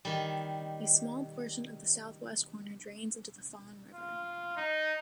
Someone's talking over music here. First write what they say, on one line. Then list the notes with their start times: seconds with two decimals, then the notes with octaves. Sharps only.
A small portion of the southwest corner drains into the Fawn River.
0.05 D#3 G3
3.95 F4
4.57 D#4